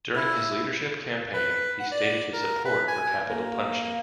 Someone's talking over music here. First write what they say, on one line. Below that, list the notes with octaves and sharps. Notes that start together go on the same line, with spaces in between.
During his leadership campaign he stated his support for capital punishment.
E4
B4
F#5
D5
A#4
B4
G#5
A#3